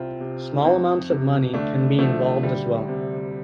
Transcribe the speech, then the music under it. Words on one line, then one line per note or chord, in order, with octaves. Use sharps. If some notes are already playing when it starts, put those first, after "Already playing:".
Small amounts of money can be involved as well.
Already playing: C2 C4 F4
C3
F2
C3
D2 A3 D4
D3 F3 A3
D2 G3
C3